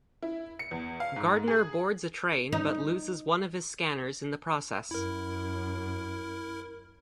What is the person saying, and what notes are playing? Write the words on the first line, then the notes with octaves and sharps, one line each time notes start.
Gardner boards a train but loses one of his scanners in the process.
E4
C#7
E2
F5
G#2
G#4
D#4
F#2 E4 A#4